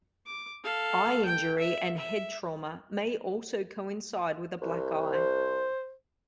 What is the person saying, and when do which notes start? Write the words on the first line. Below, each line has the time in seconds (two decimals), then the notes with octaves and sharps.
Eye injury and head trauma may also coincide with a black eye.
0.26 D6
0.64 A4 F5
1.25 G5
1.59 E5
1.98 E5
4.62 C2
5.14 C5